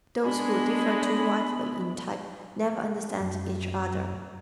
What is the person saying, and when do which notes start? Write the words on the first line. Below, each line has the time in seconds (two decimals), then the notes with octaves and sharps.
Those who differ too widely in type never understand each other.
0.24 G#3 B3 D4 G#5 B5
3.20 F#2